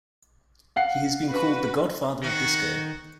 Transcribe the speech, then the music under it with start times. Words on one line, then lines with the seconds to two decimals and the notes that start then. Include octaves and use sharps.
He has been called "the Godfather of disco".
0.76 F5 F#5 C7
1.29 F#4 B4 B5
2.23 D#3 F#4